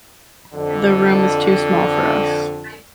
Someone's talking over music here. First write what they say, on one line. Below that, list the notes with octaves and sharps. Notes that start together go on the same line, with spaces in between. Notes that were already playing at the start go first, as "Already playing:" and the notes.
The room is too small for us.
F2 D3